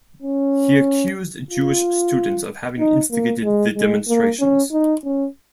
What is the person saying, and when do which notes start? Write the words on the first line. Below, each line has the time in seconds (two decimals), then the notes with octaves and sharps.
He accused Jewish students of having instigated the demonstrations.
0.22 C#4
1.51 F4
2.79 D#4
3.11 A#3
3.44 G#3
3.76 G#3
4.09 A#3
4.40 C#4
4.72 D#4
5.04 C#4